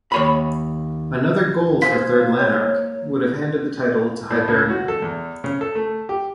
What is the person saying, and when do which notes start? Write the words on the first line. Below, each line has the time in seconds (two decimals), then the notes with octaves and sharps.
Another goal for Third Lanark would have handed the title to Hibernian.
0.12 D#2 C#5 B5
1.82 A#3 C5 F5 G#5 B6
2.39 C#5
4.31 A2
4.48 C#2
4.70 F#4
4.88 A4
5.02 E2
5.44 C#3
5.61 A4
5.75 A3
6.09 G4